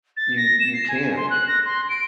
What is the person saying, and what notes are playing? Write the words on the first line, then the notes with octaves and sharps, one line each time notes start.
You you can't.
A6
A#6
E7
C7
G#5
C6
F#6
A#6
C6
D7